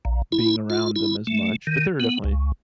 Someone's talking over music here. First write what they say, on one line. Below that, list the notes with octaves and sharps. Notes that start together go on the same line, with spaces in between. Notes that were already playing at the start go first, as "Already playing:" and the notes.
being around them as much, but there are definitely
A#1
E4
F4
E4
A3
D#3
B3
C#2